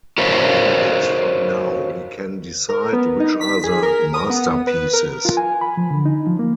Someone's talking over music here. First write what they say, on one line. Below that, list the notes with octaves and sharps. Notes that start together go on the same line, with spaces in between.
Twenty years from now we can decide which are the masterpieces.
F#4 A#4 C5 C#5 E5 F5
A#4
B3
D#4
B6
G#4
A#4
D#6
B3
B4
A#4
F4
G#5
B5
F3
D3
D#4
F3
A#3